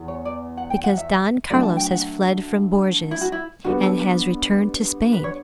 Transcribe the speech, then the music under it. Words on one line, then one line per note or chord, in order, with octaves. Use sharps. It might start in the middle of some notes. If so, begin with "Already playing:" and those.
"Because Don Carlos has fled from Bourges, and has returned to Spain."
Already playing: E2 E3
C#5
D5
F#5
G5
F#5
E5
D3 F#3 A3 D5
A5
G5
F#5
E4
F#4
E4
D3 G3 B3 F#4
A4
B4
B4
C#5